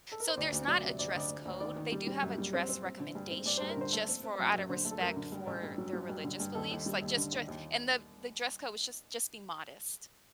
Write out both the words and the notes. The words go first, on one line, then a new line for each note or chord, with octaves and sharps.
So, there's not a dress code, they do have a dress recommendation just for out a respect for their religious beliefs, like, just dre and the the dress code was just just be modest
A4
A#4
C5
D2 D5
D2
F#3 D5
C3
D2 D5
D#5
D2
D5
D2
D2
D#3 D5
D#3
G3
G3
F#2
G3
C4
C4
C4
D3
G2
C4
G2 D5
G2 C5
A#4
D3 C5
A3
C4
C4
F#2
F#2
D3 C5
A3
A4
F#2 A#4
D3
G2
A1
G2
F#3
F#3
G2
D3
G2
D#2 A4
D#2
G3
D#2
D3
D#2
D#2